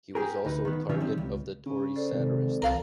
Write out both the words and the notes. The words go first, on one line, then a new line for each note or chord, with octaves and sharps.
He was also a target of the Tory satirists.
G4 G#4 A#4
D2 D#4 B4
D#3 B3
B2 D#3 F3 C#4 F4 E5
E3 G3 C4 D#4
C#2
C#3
A4 C5 D5
G#1 C3
C2 F2 A#4 F5 A5